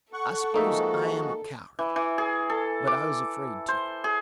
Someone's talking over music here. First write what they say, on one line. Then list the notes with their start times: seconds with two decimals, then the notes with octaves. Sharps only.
I suppose I am a coward, but I was afraid to.
0.13 A4 F#5 C#6
0.54 F3 G#3 A#3 D#4 F#4 E5
1.79 E3
1.96 E3
2.18 G#4
2.50 A4
2.87 D6
3.68 C5
4.04 G#4